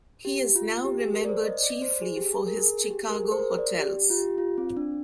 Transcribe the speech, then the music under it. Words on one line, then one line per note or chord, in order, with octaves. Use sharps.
He is now remembered chiefly for his Chicago hotels.
G4
F4
G4
G#4
A#4
D5
C5
D#5
D5
C5
G#4
G4
G#4
A#4
G#4
G4
A#4
G#4
C5
A#4
D5
G4
F4
G4
F4
C4
D4